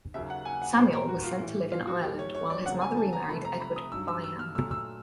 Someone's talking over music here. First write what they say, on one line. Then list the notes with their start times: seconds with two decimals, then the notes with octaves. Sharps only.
Samuel was sent to live in Ireland while his mother remarried Edward Byam.
0.14 D#2 C#3 F#3 A#3 E5
0.30 F#5
0.45 G#5
0.62 F#5
0.77 A#2 G3 A#3 C5
0.93 A#4
1.08 F#4
1.24 F4
1.40 A2 E3 G3
1.72 F4
1.87 F#4
2.03 D#2 D#3 G3 G4
2.19 C#5
2.35 C#5
2.50 D5
2.66 F2 C#3 F#3 A#3 F#5
2.81 G#5
2.97 A5
3.13 A#5
3.29 C2 C3 F3 A3 B5
3.45 A#5
3.60 B5
3.76 D#6
3.92 G2 D#3 F#3 E6
4.08 E6
4.24 E6
4.39 F6
4.55 A#2 F#3 A3 E6
4.71 E6